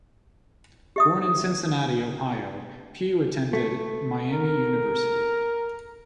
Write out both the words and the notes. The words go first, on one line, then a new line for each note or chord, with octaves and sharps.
Born in Cincinnati, Ohio, Pugh attended Miami University.
G4 E5 D#6
A3
A#4